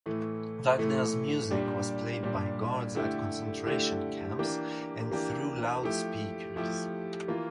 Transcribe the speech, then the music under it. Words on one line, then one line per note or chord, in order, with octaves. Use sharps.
Wagner's music was played by guards at concentration camps and through loudspeakers.
A2 E3 A3
A2 E3 A3
A#2 G3 D4 G4
A#2 G3 D4 G4
D3 A3 E4 G4
D3 A3 E4 G4
E3 A#3 D4 G4
E3 A#3 D4 G4
F3 A3 E4 G4
F3 A3 E4 G4
E3 A#3 F4